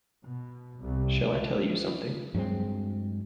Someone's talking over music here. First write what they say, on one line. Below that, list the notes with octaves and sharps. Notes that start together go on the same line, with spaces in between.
Shall I tell you something?
B2
C2
G2 F#3 G#3 C4